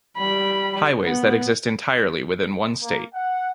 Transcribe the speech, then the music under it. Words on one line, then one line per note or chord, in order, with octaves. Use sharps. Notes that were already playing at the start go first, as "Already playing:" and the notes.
Highways that exist entirely within one state.
G3 B5
B3
A#3
F#5